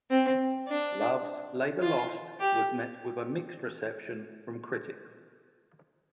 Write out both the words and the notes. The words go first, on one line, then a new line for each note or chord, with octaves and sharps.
"Love's Labour's Lost" was met with a mixed reception from critics.
C4
D4
F4
G4